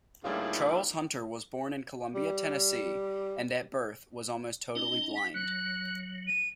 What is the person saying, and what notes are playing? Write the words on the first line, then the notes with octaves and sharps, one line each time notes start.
Charles Hunter was born in Columbia, Tennessee, and at birth was almost totally blind.
A2 D3 D#3 F3 G3 A#3 F4 G#4
G3
C#4 D#4 D#5 G7
B6
F#3 F#6
D#7